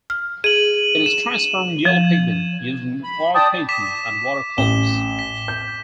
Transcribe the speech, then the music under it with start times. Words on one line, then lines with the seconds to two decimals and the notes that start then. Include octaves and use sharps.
It is transparent yellow pigment used in oil painting and watercolors.
0.10 F6
0.44 G#4 D#7 F#7
1.06 E7
1.85 F3 G#6
3.04 B5
3.35 D5 G5 A5 D#6
3.69 D6 B6 E7
4.58 A1 E7 G7
5.19 B6
5.48 G6